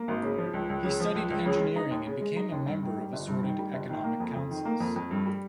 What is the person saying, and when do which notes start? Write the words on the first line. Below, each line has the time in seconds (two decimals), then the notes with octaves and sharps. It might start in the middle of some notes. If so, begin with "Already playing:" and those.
He studied engineering and became a member of assorted economic councils.
Already playing: A#3
0.08 G#1
0.23 C#3
0.38 F3
0.54 C#2
0.70 C#2
0.84 C#3
1.00 F3
1.15 C#2
1.30 C#2
1.46 C#3
1.60 G#3
1.76 D#4
1.91 D#2
2.06 C#3
2.21 G#3
2.37 D#4
2.52 D#2
2.67 G2
2.83 D#3
2.98 G3
3.13 G1
3.28 G2
3.43 D#3
3.59 G3
3.74 G1
3.89 D#3
4.04 A#3
4.20 F2
4.35 F2
4.51 D#3
4.65 A#3
4.80 F2
4.96 F2
5.11 G2
5.26 G3